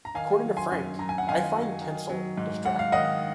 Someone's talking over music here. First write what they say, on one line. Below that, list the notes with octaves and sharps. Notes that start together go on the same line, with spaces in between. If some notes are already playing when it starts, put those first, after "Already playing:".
According to Frank, I find tinsel distracting.
A#5
D#3 F5 G#5
F#3
G#5 C6
F#2
F#2 A#5
G#5
F#5
D#3 F5 G#5
F#3
D#3
F#3
G#2
G#2 F#5
F5
D#3 D#5 F#5